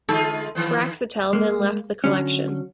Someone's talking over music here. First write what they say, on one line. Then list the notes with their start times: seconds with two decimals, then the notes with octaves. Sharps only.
Braxiatel then left the Collection.
0.09 D3 G#3 F4 A4
0.55 D#3 E3 B3
1.33 G#3 A#3
2.04 D3 F#3 C#4